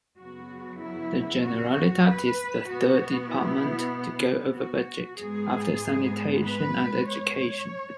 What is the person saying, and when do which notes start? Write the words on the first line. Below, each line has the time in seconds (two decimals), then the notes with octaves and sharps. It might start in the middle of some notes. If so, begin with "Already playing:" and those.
The Generalitat is the third department to go over budget, after Sanitation and Education.
0.20 F#2 C#3 F#3 B3 F#4
0.82 E4
1.45 F#4
2.07 B4
2.70 B2 B3 F#4
3.33 E4
4.57 F#4
5.20 G#2 G#3 B3 G#4
6.45 B4
7.08 C#5